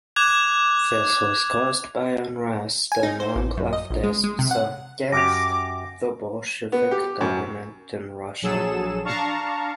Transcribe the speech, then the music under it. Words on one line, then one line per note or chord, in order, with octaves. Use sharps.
This was caused by unrest among leftists against the Bolshevik government in Russia.
D6 F#6 G#6 F7
G#5
D#4
C5
A1
F#2
D#5
A#1
G#3
G#3
C3
F#5
F#2 G4 D6 A#6
B3
G4
F#2
A#1 F#3 G#4 A4 E7
D4 F5 A5 A#5 C#6